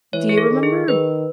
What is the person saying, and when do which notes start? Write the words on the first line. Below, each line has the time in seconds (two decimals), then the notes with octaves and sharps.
Do you remember
0.13 E3 C#5
0.29 G#4
0.38 A4
0.50 D#3
0.63 G#4
0.88 D#3 B4